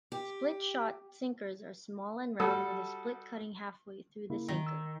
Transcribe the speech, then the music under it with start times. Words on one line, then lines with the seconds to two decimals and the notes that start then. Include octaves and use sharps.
Split-shot sinkers are small and round with a split cutting halfway through the sinker.
0.12 G4
2.40 G3 F#4 A4 D#6
4.30 C#3 A#3 E4
4.48 D#3
4.67 E6